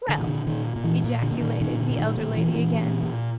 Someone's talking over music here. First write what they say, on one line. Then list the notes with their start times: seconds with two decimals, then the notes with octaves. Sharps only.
"Well!" ejaculated the elder lady again.
0.09 D3
0.18 A#2 D#3
0.27 D3
0.47 A#2 D#3
0.76 A#2
0.84 E3
1.04 A#2
1.22 D3
1.32 A#2
1.41 D#3
1.61 A#2 D#3
1.80 D3
1.90 A#2
1.99 D#3
2.17 A#2 D#3
2.37 E3
2.46 A#2
2.55 E3
2.74 A#2
3.03 A#2